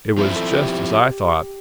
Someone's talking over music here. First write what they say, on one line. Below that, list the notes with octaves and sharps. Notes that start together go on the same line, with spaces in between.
It was just as I thought.
F3 C4 E4
A4
G4